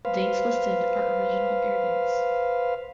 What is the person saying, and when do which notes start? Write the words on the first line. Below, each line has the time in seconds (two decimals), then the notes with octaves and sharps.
Dates listed are original airdates.
0.05 B4 C5 F5